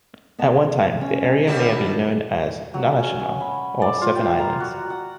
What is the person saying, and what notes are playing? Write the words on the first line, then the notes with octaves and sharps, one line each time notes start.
At one time, the area may have been known as "Nanashima" or "seven islands".
B3 D#5 A5
C#4
D#2 G3 D4 F#4 G4 A#4
F#3
C#4
G#5
B5
D5
F4
G4
A#5
F#4
F#5